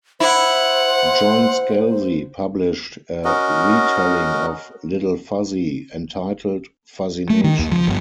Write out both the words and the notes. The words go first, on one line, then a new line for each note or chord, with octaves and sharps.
John Scalzi published a re-telling of "Little Fuzzy", entitled "Fuzzy Nation".
E4 C5 F#5
C#4 F#4 A#4 D#5
A3
D#3
D#2
F3
G1